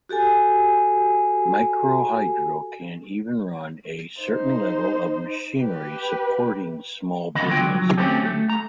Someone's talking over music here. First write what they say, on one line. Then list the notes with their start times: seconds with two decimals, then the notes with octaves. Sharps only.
Microhydro can even run a certain level of machinery supporting small businesses.
0.09 F#4 G4 A4 G#5
4.21 D#4 C5
5.61 G4 B4
7.35 D3 D#3 B3 D#5 B5
7.49 C#2 D3 F#3 F4 G5
7.75 F#3
7.98 D3 F#3 A3 C4 C#4 G4
8.25 A3
8.50 A#5